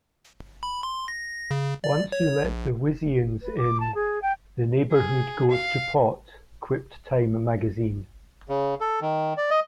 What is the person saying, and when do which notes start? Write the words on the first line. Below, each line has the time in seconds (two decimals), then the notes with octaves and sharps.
"Once you let the Wisians in, the neighborhood goes to pot," quipped "Time Magazine".
0.63 B5
0.83 C6
1.08 A#6
1.51 C#3
1.84 D5
2.12 C#5
2.45 A#1
3.42 B4
3.58 D6
3.80 A5
3.95 G#4
4.22 G5
4.92 G#4
5.50 F5
8.49 C#3
8.81 A4
9.01 D#3
9.37 D5
9.51 D#5